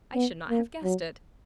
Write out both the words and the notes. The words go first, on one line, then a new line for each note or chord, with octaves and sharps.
I should not have guessed it.
B3
A#3
F#3